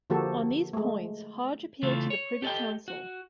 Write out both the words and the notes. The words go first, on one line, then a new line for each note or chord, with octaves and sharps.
On these points, Hodge appealed to the Privy Council.
D3 F3 A#3 F#4 G4 A4
G#3 A3
C#3 E3 A3 F4
C#5
G4 A4 D5 D#5 G5
F#4